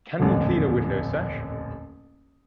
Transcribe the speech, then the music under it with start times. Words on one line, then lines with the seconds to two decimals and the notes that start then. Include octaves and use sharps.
Can he clean a window sash?
0.19 D#1 A1 F2 D3